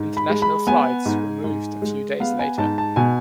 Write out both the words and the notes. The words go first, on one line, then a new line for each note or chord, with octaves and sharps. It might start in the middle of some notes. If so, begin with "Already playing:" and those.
International flights were moved a few days later.
Already playing: G#2
B5
G#3
B5
B3 G#5
G#2
G#2
G#3
B3 F5
G#5
G#2 A5
A5
B2 G#5